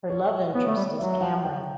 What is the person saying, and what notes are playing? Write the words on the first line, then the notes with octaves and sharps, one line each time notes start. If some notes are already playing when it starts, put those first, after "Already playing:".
Her love interest is Cameron.
C#5
B3 C#5
A3
G3
F#3 E5
E5
F#5
G5